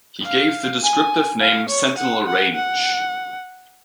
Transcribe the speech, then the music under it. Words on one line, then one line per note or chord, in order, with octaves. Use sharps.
He gave the descriptive name Sentinel Range.
F5
G#5
F5
C#5
F#5
F#5
F#5